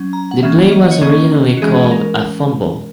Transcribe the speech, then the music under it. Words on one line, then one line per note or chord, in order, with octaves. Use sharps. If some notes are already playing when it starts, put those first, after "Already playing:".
The play was originally called a fumble.
Already playing: F#3 C#4
A#5
F#5
E3 A#3 C#4 E5
D#5
C#5
D#3 A#3 C#4 D#5
F#4
E3 G#3 C#4 G#4
A#4